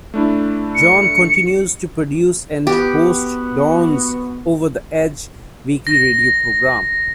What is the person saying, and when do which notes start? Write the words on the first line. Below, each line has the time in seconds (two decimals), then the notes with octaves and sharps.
Jon continues to produce and host Don's "Over the Edge" weekly radio program.
0.14 A3 D4 E4
0.75 C#7
2.67 B3 F#4 G4
5.87 A#6